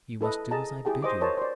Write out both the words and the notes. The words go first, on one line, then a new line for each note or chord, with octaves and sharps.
You must do as I bid you.
E4 A4 B4 D#5
G#4 D#5 A5 A#5
E4 G4 G#4 G5 A5
C5 D#5 D6
A#4 C5 C#5 D#5 A5
C5 D5